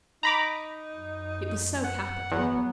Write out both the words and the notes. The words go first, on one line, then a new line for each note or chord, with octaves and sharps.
It was so capital!
D#4 A#5 B5 D6
F#2
F#5
E2 F#3 B3